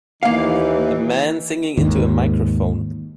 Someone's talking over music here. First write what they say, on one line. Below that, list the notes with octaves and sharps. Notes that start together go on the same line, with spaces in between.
A man singing into a microphone.
D#2 E3 A#3 D#4 F5
G#1 D#2 G#2 D#3